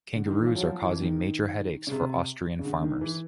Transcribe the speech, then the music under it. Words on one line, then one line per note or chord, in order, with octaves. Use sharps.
Kangaroos are causing major headaches for Austrian farmers.
D3
D#3
E3
F3
F#3
F3
E3
D#3
C#3
C3
C#3
D3
D#3
E3